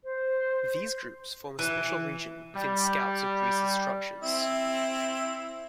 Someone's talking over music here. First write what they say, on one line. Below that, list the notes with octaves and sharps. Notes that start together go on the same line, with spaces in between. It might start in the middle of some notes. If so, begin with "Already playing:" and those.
These groups form a special region within Scouts of Greece's structures.
C5
E3
G3
C4 E4